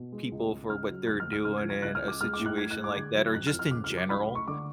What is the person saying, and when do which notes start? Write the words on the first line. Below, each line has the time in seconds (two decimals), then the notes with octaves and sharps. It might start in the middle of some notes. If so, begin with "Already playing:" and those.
people for what they're doing in a situation like that, or just in general.
Already playing: B2
0.12 G#3
0.32 C#2
0.51 C#2
0.69 C#3 F6
0.89 F#3
1.07 D2 F#6
1.20 F6
1.26 A3
1.33 F6
1.45 C#3 F6
1.58 G#6
1.64 F3
1.70 G#6
1.82 C#2 F#6
1.95 F6
2.02 C#2
2.08 D6
2.21 G#3 F6
2.34 D6
2.39 A2
2.46 F#6
2.58 A2 G#6
2.71 F#6
2.78 G#3
2.84 D6
2.96 D3 G#6
3.15 F#3
3.34 F2 F#6
3.47 F6
3.53 F2
3.59 F6
3.71 C#3 D6
3.84 F6
3.90 F#3
3.98 D6
4.09 C#2 B5
4.29 A3
4.35 C#6
4.48 D3 D6